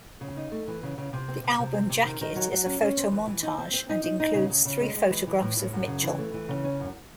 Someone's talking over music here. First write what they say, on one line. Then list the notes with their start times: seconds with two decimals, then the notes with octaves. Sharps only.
The album jacket is a photomontage and includes three photographs of Mitchell.
0.21 C#3
0.37 D#4
0.52 A3
0.68 E3
0.83 C#3
0.98 C#3
1.13 C3
1.28 C4
1.44 C3
1.59 C3
1.74 C4
1.89 C3
2.05 D#3
2.21 D#3
2.36 F#3
2.51 F#3
2.66 C#4
2.82 C#4
2.97 C4
3.12 E3
3.27 E3
3.43 D#4
3.58 C4
3.74 C4
3.89 D#4
4.04 D#4
4.20 D#4
4.34 C#3
4.50 C#3
4.65 C#3
4.81 G#3
4.95 G#3
5.11 E3
5.27 E3
5.42 A2
5.57 A2
5.73 F#2
5.87 C#3
6.03 E3
6.18 A3
6.34 E3
6.49 C#3
6.64 C#4
6.80 F#2